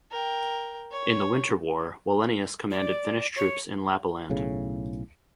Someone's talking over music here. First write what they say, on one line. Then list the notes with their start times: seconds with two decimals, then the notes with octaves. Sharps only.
In the Winter War Wallenius commanded Finnish troops in Lapland.
0.11 A#4 G5
0.92 C#5
2.71 D5
3.36 C#5
4.30 B1 A2 C#3